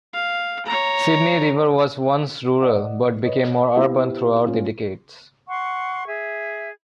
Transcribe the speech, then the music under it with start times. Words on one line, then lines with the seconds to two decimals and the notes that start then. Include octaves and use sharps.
Sydney River was once rural, but became more urban throughout the decades.
0.13 F5
0.66 C#5 A#5
2.62 D5 D#5 F#5
3.24 B4 C#5 D#5
3.76 B3 E4 G4 C5 F5
4.47 A#3 C#4 F4
5.47 F#5 C6 C#6
6.06 G#4 E5